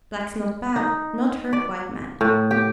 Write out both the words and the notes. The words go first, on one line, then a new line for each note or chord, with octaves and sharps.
Blacks not bad, not hurt white man.
D#4
D5
A2
G4